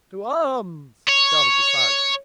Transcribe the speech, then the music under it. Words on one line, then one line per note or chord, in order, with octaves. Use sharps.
"To arms!" shouted the sergeant.
C#5